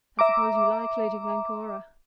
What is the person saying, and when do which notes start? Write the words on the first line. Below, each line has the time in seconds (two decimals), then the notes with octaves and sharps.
"I suppose you like Lady Glencora?"
0.19 E5 A#5 D6